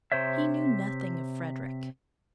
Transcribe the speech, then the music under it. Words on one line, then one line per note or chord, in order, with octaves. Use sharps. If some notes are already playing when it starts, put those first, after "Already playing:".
He knew nothing of Frederick.
C3 C5 C#5 E5